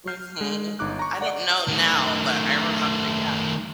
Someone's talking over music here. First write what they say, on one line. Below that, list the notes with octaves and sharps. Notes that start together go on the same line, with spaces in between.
Mhm. I don't know now, but I remember, yeah.
F6 G6 C7
G#3
G1 D#4 D6 F#6
A#5 C#6
D5 F#5
D#3 A3